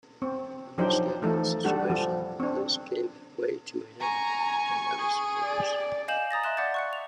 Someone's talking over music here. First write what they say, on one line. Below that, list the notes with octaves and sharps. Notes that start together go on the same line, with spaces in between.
Understanding the situation, the police gave way to him and other supporters.
C4
F3 F#3 D4 D#4 G4 C5
E3 F3 A3 D#4 A4
G3 D4 F#4 A4
F3
C4 D4
G#5 A#5 C#6
G#4
D5
D#5 F5 G#5 G6 E7 F#7
A#5 D#6 A6 A#6
E5 C6 F#6 E7
D5 E5 F#5 D6 G6 A6
C#6 F#6 C#7
F7